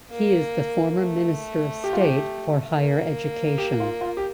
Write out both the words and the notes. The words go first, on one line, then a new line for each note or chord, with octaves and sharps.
He is the former Minister of State for Higher Education.
A#3
A3
G4
F4
G4
A#3
G4
F4
F4
G4